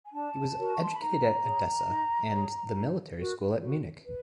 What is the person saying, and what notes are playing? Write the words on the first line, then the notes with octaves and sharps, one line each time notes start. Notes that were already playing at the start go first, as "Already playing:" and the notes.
He was educated at Odessa and the military school at Munich.
G#5
D4 A5
F#4 A#4 C#5
C#6
C6
B5
D#4 A#5
G#4 C#5
D#4
G#4 C#5
D#4
F#4 A#4
F#4
B4